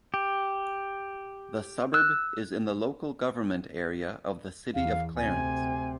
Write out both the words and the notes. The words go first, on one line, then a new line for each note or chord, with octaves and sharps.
The suburb is in the local government area of the City of Clarence.
G4
E6 F#6
E2 F5
D2 C3 G#5